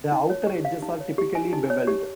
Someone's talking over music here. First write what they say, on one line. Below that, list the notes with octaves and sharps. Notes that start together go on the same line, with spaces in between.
The outer edges are typically bevelled.
D#4
C#5
G4
F5
D#4
C#5
G4
G#5
D#4
C#5
G4